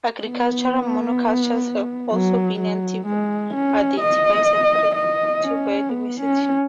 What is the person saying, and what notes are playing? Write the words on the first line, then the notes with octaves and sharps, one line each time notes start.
Agricultural monocultures have also been identified as a threat to biodiversity.
B3
F#3
F#3
G#3
C#4
D#5
D#5
C#4
B3
C#4